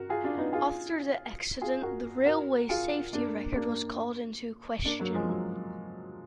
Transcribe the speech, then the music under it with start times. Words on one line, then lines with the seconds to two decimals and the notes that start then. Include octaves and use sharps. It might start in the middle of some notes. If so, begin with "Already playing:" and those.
After the accident the railway's safety record was called into question.
Already playing: F#4 A#4
0.09 F4 G#4
0.24 D4 F4
0.38 B3 D#4
0.53 F4 G#4
1.61 F4 G#4
1.82 F#4 A#4
2.25 F#4 A#4
2.69 F4 G#4
3.13 A#3 D4
3.56 A#3 D4
4.85 A#3 D4
5.00 F#3 A#3
5.14 F3 G#3
5.29 F#3